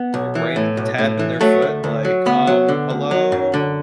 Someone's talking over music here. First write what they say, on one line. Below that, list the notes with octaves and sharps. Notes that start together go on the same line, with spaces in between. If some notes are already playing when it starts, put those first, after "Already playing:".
Your brain is tapping their foot like, "Um, hello?"
Already playing: B3
B1
E3
A2
B1
A2
E3
F#3 A3
D2
D2
F#3
D2 B3
F#3
D3
D2
F#3
F#2
D3